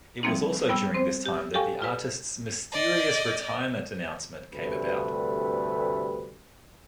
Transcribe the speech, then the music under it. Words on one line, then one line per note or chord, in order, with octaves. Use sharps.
It was also during this time that the artist's mysterious retirement announcement came about.
E3 F3 G3 A#3 C4 D#4
G3 B3 G5 E6
C4 C5
G4
G4 A4 F5 G5 G#5 C#6
F4 B4
D5 D#5
D2 G2 C3 A3 B4